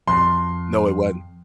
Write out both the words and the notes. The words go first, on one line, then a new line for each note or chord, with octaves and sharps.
No, it wasn't.
F2 C6